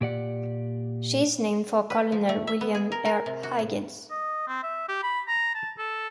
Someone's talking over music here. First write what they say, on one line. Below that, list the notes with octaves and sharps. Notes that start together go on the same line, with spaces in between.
She is named for Colonel William R. Higgins.
A#2 G4 D5 F#5
B4
F3
A3
E5
B3
G#4
A#4
A#4
C3
F#4
A2
D#5
C4
E5
G4
B5
A#5
A5
A4